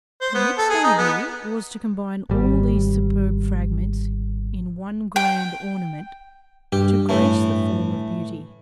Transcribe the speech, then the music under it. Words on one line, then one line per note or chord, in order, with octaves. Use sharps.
The next idea was to combine all these superb fragments in one grand ornament to grace the form of beauty.
C5
B3
A4
G#4
D#4
B3
G#1 G3
G5
G2 G4
A2 E3 A3